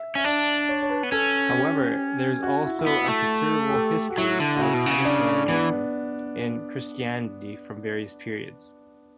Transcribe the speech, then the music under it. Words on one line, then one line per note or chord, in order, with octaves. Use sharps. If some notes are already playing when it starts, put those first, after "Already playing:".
However, there is also a considerable history of aniconism in Christianity from various periods.
Already playing: E5
C#4 E5
D4 D5
C#5
C#5
B4
B3
C#4 A4
G4
F#4
E4
E4
B3 F#4
A3
G4
A4
F#4
F#3 E4
D3
F#4
C#3 E4
B2
C#3
D4
E3 B3